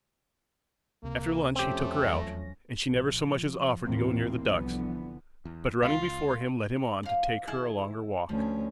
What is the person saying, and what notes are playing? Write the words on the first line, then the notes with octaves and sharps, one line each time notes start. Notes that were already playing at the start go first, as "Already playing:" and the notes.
After lunch he took her out, and she never so much as offered to go near the ducks, but running before him led him on to take her a longer walk.
C#2 C3 A#3
F2 F3 A3 C4 C#4 G4
E2 F#3 A#6
A#1
F3
A1 D#2 A2 E3 A#3 C4
C2 D3 E3 F3 B3
E2
C#2 F4 F5
D#2 F5
D#3 E4 G#4
D2 F3 C#4